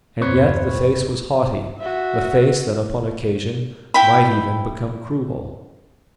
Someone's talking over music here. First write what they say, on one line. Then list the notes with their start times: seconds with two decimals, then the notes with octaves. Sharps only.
And yet the face was haughty, a face that upon occasion might even become cruel.
0.21 E2 G2 C4 B4 C#5
1.78 F#4 E5
3.94 E4 G5 B5